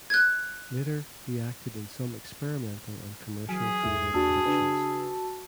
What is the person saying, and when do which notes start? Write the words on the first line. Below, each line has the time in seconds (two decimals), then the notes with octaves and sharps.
Later he acted in some experimental and commercial theatre productions.
0.10 F#6 G#6
3.49 E3 F#3 G#4 G#5 F6 B6
3.83 E2 A3 E4
4.13 E2 A#3 D4 F#4 A5 E6
4.45 C#3 D4 B4